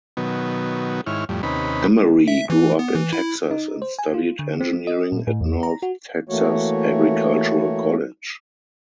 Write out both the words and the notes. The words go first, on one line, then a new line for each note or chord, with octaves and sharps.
Emery grew up in Texas and studied engineering at North Texas Agricultural College.
B2 D#3 F#3 B3
G#2 D#3 E4 C#5 F6
F2 A2 G3
D#2 C3 C#4 D#4 B4 B5
E5
E3
B3
E3
E4
D#4
C5
G#5
F4
D3
C4
D#5
A#2
A2
E2
A#5
F#4
E3 A3 A#3 F#4 C#5